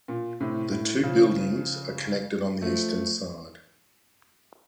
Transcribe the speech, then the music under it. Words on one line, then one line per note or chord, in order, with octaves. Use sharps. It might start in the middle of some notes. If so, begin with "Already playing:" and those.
The two buildings are connected on the eastern side.
A#2
A2 C3
A2
C#3 F3
F3 A3